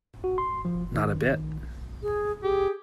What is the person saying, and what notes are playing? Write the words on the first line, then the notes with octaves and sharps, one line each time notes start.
Not a bit.
F#4
C6
F3
D#3
G#4
G4 G#4